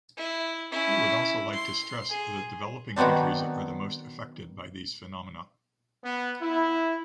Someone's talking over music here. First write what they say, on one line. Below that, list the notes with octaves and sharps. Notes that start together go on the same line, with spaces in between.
We would also like to stress that developing countries are the most affected by these phenomena.
E4
C#4 E4
C6
G#4
D#3 F#3 B3 C4 D4
B3
E4